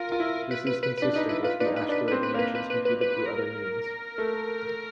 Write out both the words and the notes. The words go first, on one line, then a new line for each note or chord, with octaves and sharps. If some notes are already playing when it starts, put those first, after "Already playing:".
This is consistent with the asteroid dimensions computed through other means.
Already playing: F4 A#4
F4
E4
B4
B4
B4
B4
D4
D#4 B4
E4 B4
F4 B4
D4 B4
D#4
B4
D#4
D4 B4
B4
C4
B4
A#3 B4
B4
B4
B4
B4
A#4
A3